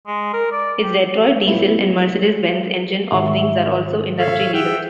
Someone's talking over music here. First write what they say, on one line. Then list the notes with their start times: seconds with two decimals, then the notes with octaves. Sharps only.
Its Detroit Diesel and Mercedes-Benz engine offerings are also industry leaders.
0.07 G#3
0.33 A#4
0.52 D5
0.83 G4
1.46 A3 B3 E4 F4
3.12 G#2 D#3 E5
4.17 A4 C#5 E5 F5
4.52 G#4 E5 F#5 G5